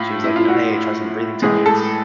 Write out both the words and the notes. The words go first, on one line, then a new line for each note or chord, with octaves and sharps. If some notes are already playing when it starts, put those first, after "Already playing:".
she was, like, you know, "Hey, try some breathing techniques"
Already playing: A2 A3 F4
E4
F4
F#4
A2 E3 G#3 G#4
A4